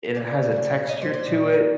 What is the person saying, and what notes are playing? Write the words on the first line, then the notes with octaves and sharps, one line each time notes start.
it has a texture to it
C#3 E3 D5
D3 F#3 B3
A#2 G3 A#3 C#5 D#5
C5 D5
C5 D5
A#2 F3 A3 C4